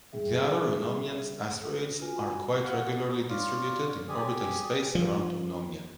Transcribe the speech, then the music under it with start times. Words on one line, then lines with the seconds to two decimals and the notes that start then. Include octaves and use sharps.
The other Eunomian asteroids are quite regularly distributed in orbital space around Eunomia.
0.12 G3 G#4 E5
1.61 A4
1.99 F4 F#4 B4 G#5
2.63 F#4 F5 F#5
2.96 D#4
3.29 F4 C#5 D5 F5
4.09 G4 G#4 D5 G#5
4.95 F3